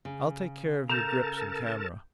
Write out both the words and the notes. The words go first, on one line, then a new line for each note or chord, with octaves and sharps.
I'll take care of your grips and camera.
C#3
A4 A#4 A5 A#5 G6 E7 F7